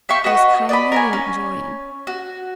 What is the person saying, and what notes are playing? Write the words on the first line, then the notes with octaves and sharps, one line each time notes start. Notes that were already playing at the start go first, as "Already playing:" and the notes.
He was kindly and enjoying.
E5 F5 G5 C#6
F#4 B4 D#5 F#5
D5 D#5 B5
A#4 C#5 G#5
C#4
F#4